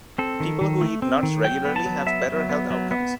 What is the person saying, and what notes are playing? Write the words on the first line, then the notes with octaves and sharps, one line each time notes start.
People who eat nuts regularly have better health outcomes.
C4 A4
D#3
D#3
A3
C4
D#3
F#3 G5
B3
A5
F#3
B3 E5
F#3
B3
F#3
B3